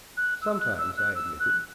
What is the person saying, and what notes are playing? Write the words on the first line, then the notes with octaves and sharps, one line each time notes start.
"Sometimes," I admitted.
F#6
E6
E6
F#6
E6
F#6
E6
F#6